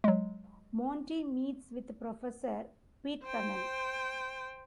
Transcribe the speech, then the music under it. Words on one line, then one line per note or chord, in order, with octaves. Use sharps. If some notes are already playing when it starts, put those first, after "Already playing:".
Monty meets with Professor Pitkannan.
F#3 G#3
C5 G5